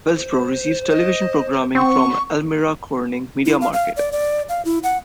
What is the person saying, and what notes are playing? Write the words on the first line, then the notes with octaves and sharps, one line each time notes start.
Wellsboro receives television programming from the Elmira-Corning media market.
C5
D#5
C4 F#5 C#6
E4
F5
F5
D5
D5
F5
E4
F#5